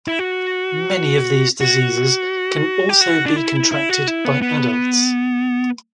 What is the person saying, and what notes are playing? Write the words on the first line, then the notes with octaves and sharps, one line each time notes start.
Many of these diseases can also be contracted by adults.
E4
F#4
F#4
G4
F#4
D4
E4
E4
F#4
E4
B3
B3